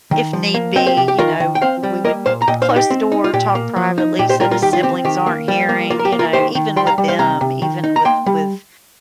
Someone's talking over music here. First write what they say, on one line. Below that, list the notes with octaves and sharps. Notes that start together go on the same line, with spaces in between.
if need be, you know, we would close the door, talk privately so the siblings aren't hearing, you know, even with them, even with with
D#3
F3
A#3
C4 D#5 G5
G4 C5
C3 G4
G4
D#3 F4 A#4
D#3
G5
C4 C5 F5
G3
A#3 A#4 D#5
A#2 C5 F5
A#5
A#2 D#5 G5
C5 F5
D#4
G4
C4
D#4
F4
A#2 G4
A#3
F3
D#4
A#2 G4
G4 C5
G3 F4 A#4
F4 A#4
D#3 G4
F4
C4 G4
D#3 G4
A#3
G3
A#3
A#3 F4
A#4
G4
A#3
F4 A#4
D#3 G4 C5
D#3
G3 G5 C6
F5 A#5
G3
C5 F5
C3 F5 A#5
C3
D#3
D#4
A#5
A#3 G5 C6
G3